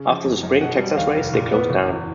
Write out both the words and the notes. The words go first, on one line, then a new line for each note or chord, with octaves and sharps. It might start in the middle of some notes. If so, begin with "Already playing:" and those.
After the spring Texas race, they closed down.
Already playing: C#3
F3
F#1
F#2
B2 F#5
G3
D#2 F5
F1
A#2
B3
F#1
E2